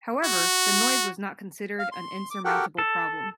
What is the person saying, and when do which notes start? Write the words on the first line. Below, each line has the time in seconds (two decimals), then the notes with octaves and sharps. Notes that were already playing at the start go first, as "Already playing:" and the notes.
However, the noise was not considered an insurmountable problem.
0.24 F#4
1.79 F5
1.92 C6
2.31 D6
2.45 F#4 G4 A4 A#4 F#5 G5
2.78 A4